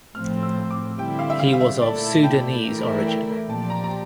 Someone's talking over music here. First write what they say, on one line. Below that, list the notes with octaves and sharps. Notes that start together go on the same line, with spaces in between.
He was of Sudanese origin.
A2 F3 C4 F6
E6
D6
D3 G3 C4 E4 G4 G5
F5
E5
F5
F5
E5
A#2 A3 E4 A4 D5
G5
E3 A3 E4 A#4
G5
A#2 F3 C4 G4 D5 A5
A#5
A#5